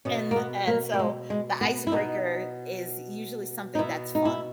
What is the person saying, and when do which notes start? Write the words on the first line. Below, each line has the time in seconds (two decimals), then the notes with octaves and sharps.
and and, so the icebreaker is usually something that's fun.
0.05 B2 C#4
0.31 A#3
0.36 B3
0.67 A#3
0.94 A#3
0.99 G#3
1.30 G#3
1.61 B3
1.87 E4
1.92 B2 D#4
3.75 D#4
3.78 B2 E4
4.15 D#4
4.25 E4